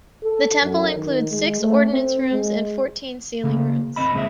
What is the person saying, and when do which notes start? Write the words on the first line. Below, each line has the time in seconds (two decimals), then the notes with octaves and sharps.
The temple includes six ordinance rooms and fourteen sealing rooms.
0.24 A4
0.62 F#2
0.96 D#3
1.31 G#3
1.61 A3
1.91 C4
2.32 G#3
3.44 C#3 A#3
3.96 D#2 C4 D#5 B5
4.14 C#2 A#2 G#3 C4 E5